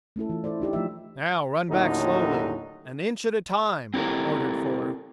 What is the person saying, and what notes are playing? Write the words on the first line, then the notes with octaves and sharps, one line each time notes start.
"Now run back slowly--an inch at a time," ordered Fuller.
A3 C#4 E4 A4
E3 F4
E4 A4 C5 D5
D4 D#4 G4 D5
F3 A3 E5
D#2 A2 D3 F#3 C#4 D#4
C4 E4 G4 A4 A#4